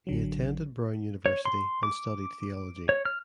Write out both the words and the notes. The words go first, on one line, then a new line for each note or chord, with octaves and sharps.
He attended Brown University and studied theology.
A1 D3 F#3
C#5
C6
D6
C#5
F6